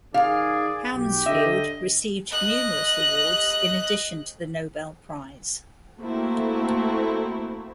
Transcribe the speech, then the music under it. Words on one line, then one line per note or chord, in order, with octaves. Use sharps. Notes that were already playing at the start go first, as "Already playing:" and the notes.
Hounsfield received numerous awards in addition to the Nobel Prize.
D#3 G#4 D5 F5
B1 G4
D3 D#5 E5
D#5 F#6
A3 A#3 C4 E4 F#4